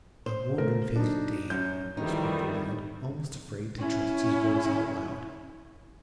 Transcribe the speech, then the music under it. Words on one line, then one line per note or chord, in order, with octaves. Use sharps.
"I wonder if he's dead," whispered the lad, almost afraid to trust his voice out loud.
C5
A3 A#4
F#3 D4 D#4
F#2 G6
F2 D#3 E3 G3 D#4
C#4 E4